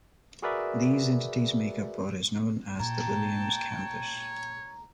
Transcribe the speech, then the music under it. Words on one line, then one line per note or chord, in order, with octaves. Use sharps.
These entities make up what is known as the Williams Campus.
F#4 G#4 A#4 B4 D5 E5
A#2 C#5 G5 A5 A#5